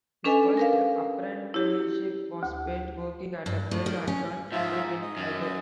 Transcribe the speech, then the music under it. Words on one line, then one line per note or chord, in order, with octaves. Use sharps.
His first apprenticeship was spent working at a bell and gun foundry in Eger.
C#4 D4 A4 B4 D#5 G#5
A#4 B4 F5
E4 G4
D2
G2
A2
D#3
C#4
G#2 F4 E5
D#5
F#2
D#5